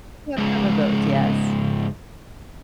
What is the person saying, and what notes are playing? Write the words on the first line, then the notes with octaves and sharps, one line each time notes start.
we have some of those. Yes.
C#2 G#2